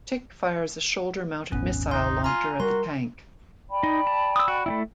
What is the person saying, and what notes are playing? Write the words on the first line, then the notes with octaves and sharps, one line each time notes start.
Tick fires a shoulder-mounted missile launcher at the tank.
D#1 G#1 B3 C#4
D#4 C6
F4 G#5 A#5
G3 F#4 A#4 C6
D5 G5 B5
D#4
A5
D#6 E6
F#4
A3 C#4 E4